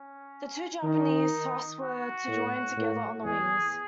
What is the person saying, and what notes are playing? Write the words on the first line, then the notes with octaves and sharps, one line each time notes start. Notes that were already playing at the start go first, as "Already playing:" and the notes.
The two Japanese thrusts were to join together on the wings.
Already playing: C#4
D#3 D#4
F#4
A2
A2
E2 G#4